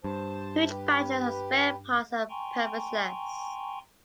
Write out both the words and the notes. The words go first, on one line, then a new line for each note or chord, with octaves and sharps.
Huge batches of spare parts are purposeless.
G2 C5 A5
G4 B4
G5 G#5 A#5 C6 C#6